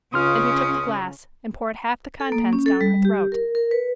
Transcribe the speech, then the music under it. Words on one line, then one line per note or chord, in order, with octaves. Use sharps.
Then he took the glass, and poured half the contents down her throat.
C#2 C#3 C#4 F4 C6 D#6 F6
A4
A#3
C#4
A4
G3
G4
A#4
A#4
B4